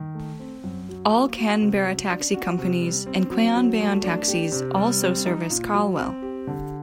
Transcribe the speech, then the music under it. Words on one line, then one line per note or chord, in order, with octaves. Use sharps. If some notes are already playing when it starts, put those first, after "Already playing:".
All Canberra taxi companies and Queanbeyan taxis also service Calwell.
Already playing: D#3
A3
C4
F#2
F#3
A#3
F#4
C3
F#3
D4
F#4
C3
G3
C4
F#3
F#3
A3
D4
G4
C3
G3
C4
D#4
A#2
F#3
C4
G4
D3